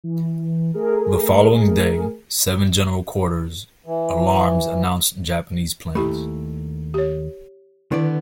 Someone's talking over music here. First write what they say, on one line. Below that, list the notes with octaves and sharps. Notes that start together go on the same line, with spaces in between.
The following day seven general quarters alarms announced Japanese planes.
E3
A3 G#4 A#4
E3
D#2 A3 E4 G4 B5
G4 C#5
D3 D#3 B3 E4 D5